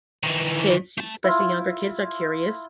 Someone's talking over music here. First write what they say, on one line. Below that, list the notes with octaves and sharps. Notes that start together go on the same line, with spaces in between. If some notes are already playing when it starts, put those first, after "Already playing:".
kids, especially younger kids, are curious.
D#3 E3
A3 A5
E4 F4